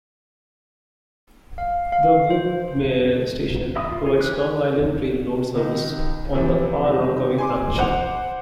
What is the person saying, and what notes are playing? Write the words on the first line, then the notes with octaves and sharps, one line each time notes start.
The Woodmere station provides Long Island Rail Road service on the Far Rockaway Branch.
F5
F5
C5
D#5 E5 B5 D#6
F4
F4 G#4 C#5
E3 G4 F#6
G#5
C#2 D#3
C3 E3 F3
F1 D#3 G3
G#5 C6 D6
C5 F#5 D6 F7